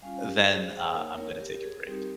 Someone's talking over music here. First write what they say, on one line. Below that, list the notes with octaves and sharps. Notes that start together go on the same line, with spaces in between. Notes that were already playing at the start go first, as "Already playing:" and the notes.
uh, then, uh, I'm gonna take a break.
G3 C#4 F4 F5 G#5
G4 A#4
G#4 C5
G#4 C5
A#3 D#4 A#4 C#5
A#4 C#5
G4 A#4
G#4
G3 C4 D#4 G4 A#4
A#4